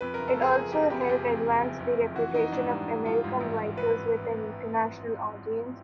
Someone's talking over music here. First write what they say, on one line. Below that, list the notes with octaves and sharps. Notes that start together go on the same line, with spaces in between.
It also helped advance the reputation of American writers with an international audience.
F2 B4
F#1 A#4
A4
F2 G#4
F2 G#4
F#1 G4
F#1 G4
G#4
F#1 G4
F2
F#1
F#1
F#1
F2
E3 F#4
E3 D#4
G#2 D4
G3 D#4
E3
G3 F4
G#2
A1
G#2
B4